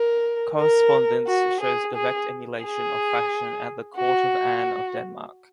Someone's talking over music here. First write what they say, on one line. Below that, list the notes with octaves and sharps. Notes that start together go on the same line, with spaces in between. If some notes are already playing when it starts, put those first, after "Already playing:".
Correspondence shows direct emulation of fashion at the court of Anne of Denmark.
Already playing: A#4
A#4
F#4
G#4
G#4
G#4
F#4